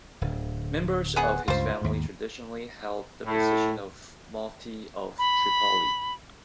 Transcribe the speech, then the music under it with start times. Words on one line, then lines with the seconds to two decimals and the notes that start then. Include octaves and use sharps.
Members of his family traditionally held the position of mufti of Tripoli.
0.21 D1 D3
1.16 B3 G#4 F#5
1.48 C#2 G2 F4 C5
1.82 D#2 G#2
3.25 A2
5.19 B5